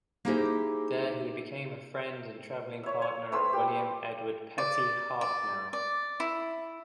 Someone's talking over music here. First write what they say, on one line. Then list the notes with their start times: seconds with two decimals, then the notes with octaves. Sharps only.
There he became a friend and traveling partner of William Edward Petty Hartnell.
0.25 A#3 D#4 E4 G4 G#4 C5
2.83 C#5 E5
3.02 C#5
3.32 A3 B4 C5 E6
3.53 G4
4.58 D5
5.21 D5
5.73 D5
6.20 E4